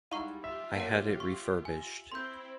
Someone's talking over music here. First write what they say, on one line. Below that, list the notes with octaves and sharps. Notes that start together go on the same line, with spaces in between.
I had it refurbished.
G3 G#3 D#4 E4 F5 F#5 C#6 D#7
F4 G4 E5
A#3 C#5 F#5 A5
C#6
G#5
C4 E4 C6 G6